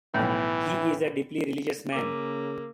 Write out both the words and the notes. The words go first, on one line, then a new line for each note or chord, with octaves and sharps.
He is a deeply religious man.
B1 A2 E3
C#3 A#3 A#4 D6